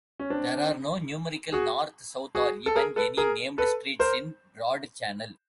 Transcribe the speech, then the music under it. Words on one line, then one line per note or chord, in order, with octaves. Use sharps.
There are no numerical north-south or even any named "Streets" in Broad Channel.
C#4
C4 D4
F#4 G#4
F#4 G#4
A4
G#4 A#4
A4 B4
G#4 A#4
A4 B4
A#4 C5